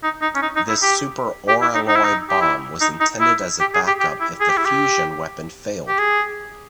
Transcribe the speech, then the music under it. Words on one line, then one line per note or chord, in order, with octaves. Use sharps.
This "Super Oralloy Bomb" was intended as a backup if the fusion weapon failed.
D#4
D#4
C#4
D#4
D#4
E4
G4
G4
E4
D#4
D#4
E4
D#4
G4
E4
D#4
D#4
E4
G4
G#4
G4
G4
E4
G#4
G4
E4
G4
G4
G#4